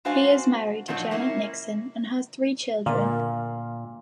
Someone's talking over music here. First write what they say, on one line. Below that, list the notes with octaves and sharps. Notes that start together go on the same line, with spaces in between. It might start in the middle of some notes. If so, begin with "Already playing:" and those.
He is married to Janet Nixon and has three children.
G#3 D4 F#4 C5 F5 G#5
A#2 F3 F#3 D#4 F#4
A#3 C#4 E4
A#2 D3 A#3 F5